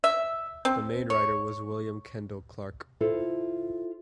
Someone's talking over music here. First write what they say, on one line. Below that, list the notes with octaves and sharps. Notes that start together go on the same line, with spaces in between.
The main writer was William Kendall Clarke.
E5
C4
C#5
E4 F4 A4 C5